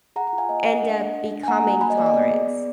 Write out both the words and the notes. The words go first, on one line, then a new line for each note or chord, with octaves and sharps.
end up becoming tolerance,
G#4 F#5 A#5
F#5 A#5
F4
F5 G#5
A#3 D#5
A#3 D#5 F#5
D4
D4
D4
D4
G#5
A#3 F#5 A#5
F#4
A#3 G#5 B5
D#5
A#3 D5
D#5
B3 D5
G#4
B3